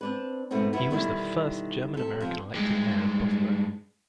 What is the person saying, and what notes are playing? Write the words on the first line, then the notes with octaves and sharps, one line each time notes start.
He was the first German-American elected mayor of Buffalo.
C4 D4 B4
G#2 B2 A3 B3 C4
F#2 B3 E4
B2 D3 D#3 G3 E4
C3 A4
F2 F3
G2 G#3